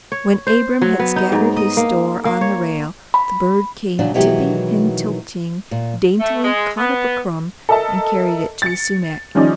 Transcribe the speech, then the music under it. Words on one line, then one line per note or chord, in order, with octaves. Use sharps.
When Abram had scattered his store on the rail, the bird came tipping and tilting, daintily caught up a crumb, and carried it to the sumac.
C#5
C5
F#3
B3
D#4
G#2
D#5
A#3
A#3
C#5
B5
A#2 C#3 F#3 D4
B2 D#3 E3 F#3 G#3 G4
A#2
A3
G#3
B3
A4 A#4 D#5 E5 A5
A6 C#7
D#3 F3 G3 C#4 D#4 D5